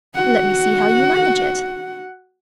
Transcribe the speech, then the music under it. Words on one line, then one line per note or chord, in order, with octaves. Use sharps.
'Let me see how you manage it.'
F#4 F#5